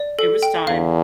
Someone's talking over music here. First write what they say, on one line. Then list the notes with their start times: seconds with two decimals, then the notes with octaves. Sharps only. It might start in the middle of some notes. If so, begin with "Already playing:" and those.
it was time.
Already playing: D5
0.19 A4
0.43 G5
0.67 E2 F5